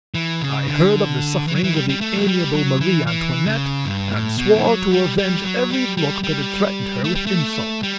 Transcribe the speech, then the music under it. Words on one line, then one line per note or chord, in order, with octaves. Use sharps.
I heard of the sufferings of the amiable Marie Antoinette, and swore to avenge every look that had threatened her with insult.
E3
C#3
D3
E3
F#3
E3
G3
G3
A3
F#3
G3
F#3
E3
E3
C#3
G2
A2
B2
E3
F#3
G3
G3
F#3
G3
G3
G3
A3
G3
A3
G3